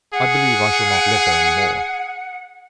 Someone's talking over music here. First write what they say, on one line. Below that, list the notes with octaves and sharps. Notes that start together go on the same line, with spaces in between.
I believe I shall not live there any more.'
G#4 F#5